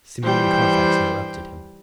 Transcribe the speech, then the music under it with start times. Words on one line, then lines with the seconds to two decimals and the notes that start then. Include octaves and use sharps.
Simeon Carfax interrupted him.
0.23 E3 G3 C5 G5